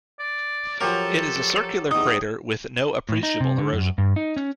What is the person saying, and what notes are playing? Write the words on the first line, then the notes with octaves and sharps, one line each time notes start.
It is a circular crater with no appreciable erosion.
D5
F3 F#3 G4 A4 A#4
E2 D#4 D#6
A2
D#4
C3
D3
F#2
G2
D#4
C#4